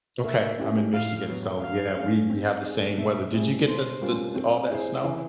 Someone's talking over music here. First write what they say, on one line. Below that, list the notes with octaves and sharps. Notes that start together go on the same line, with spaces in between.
Okay, I'm in Michigan, so, yeah, we we have the same weather. Did you get the the all that snow?
A#3 E5
C#4 E4 G4
A2 F5
F#3 B3
F#3 F5
A3 C#4
C4
D#4 G#4
B2 E5
G3 C4 E4 G#4
B2 C5
G3 A#3 C#4 F4
C4
E4 G#4 C5
E3